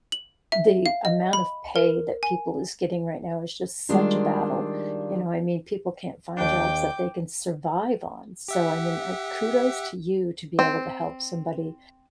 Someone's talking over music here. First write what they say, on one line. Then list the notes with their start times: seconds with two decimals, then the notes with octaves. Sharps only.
the amount of pay that people is getting right now it's just such a battle, you know, I mean, people can't find jobs that they can survive on, so, I mean, uh, kudos to you to be able to help somebody
0.12 F#7
0.52 E5
0.86 F5
1.05 D#5
1.33 B5
1.76 A#4
2.23 G#5
3.89 D#3 G3 G#3 A#3 D4 F4
6.37 D#2 D4 G5 D6 G6
8.49 G4 E5 F#5
10.59 C4